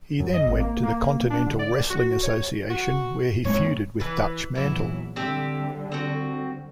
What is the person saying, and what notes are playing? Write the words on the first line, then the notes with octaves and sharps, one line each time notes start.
He then went to the Continental Wrestling Association where he feuded with Dutch Mantel.
F#2
D#5
G#1
A#3
A#3
D4
D3
D5
F#4
C#5
F#4
G2 G#3 A#3 C#5
E3 B4
A#1 E2 E3 F#3 E4
D3 G3 C4 G4 E5
C4 F#4